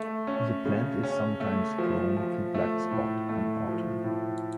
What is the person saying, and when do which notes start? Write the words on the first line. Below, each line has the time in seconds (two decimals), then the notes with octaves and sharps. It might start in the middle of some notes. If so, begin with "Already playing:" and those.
The plant is sometimes prone to blackspot in autumn.
Already playing: A3
0.27 C#4
0.65 C#3
1.03 C#4
1.40 A3
1.78 F3
2.17 F3
2.54 A3
2.91 A2
3.29 A3
3.67 F3
4.04 A2